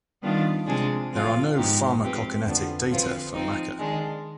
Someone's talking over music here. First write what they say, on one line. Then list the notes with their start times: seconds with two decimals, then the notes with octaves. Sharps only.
There are no pharmacokinetic data for maca.
0.23 D#3 G3 B3 D4 F4
0.67 C3 F3 G#3 D4 G#4
1.11 F3 C4 F4
1.57 G#2 F3 B3 D#4 G4
2.00 F3 G#3 C4 G4 B4
2.45 F2 D3 F3 B3 D4
2.90 D3 F3 C4 F4 B4
3.34 F3 C4 D#4
3.79 D#3 G#3 D4